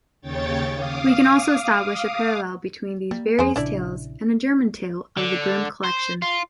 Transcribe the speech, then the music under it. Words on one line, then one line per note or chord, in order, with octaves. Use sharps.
We can also establish a parallel between these various tales and a German tale of the Grim collection.
D#2 C#3 C#5 G5 A6
F5 D6 D#6
G3 A#3
F2 F3 G#3 B3 G#4 C5
A#1 C#3 D4 E4 D5
D3
C5
F4